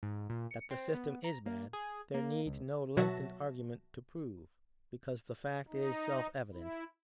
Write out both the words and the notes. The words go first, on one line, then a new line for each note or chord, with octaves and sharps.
That the system is bad, there needs no lengthened argument to prove, because the fact is self-evident.
G#2
A#2
C#7
C4
B3
A#5
A#3
G#4
A#3
C#2
B2 F#3 F#4 E5 A5 A#6
D#4
E4